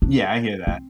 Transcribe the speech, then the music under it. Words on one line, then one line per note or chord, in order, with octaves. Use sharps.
Yeah, I hear that.
D4
C4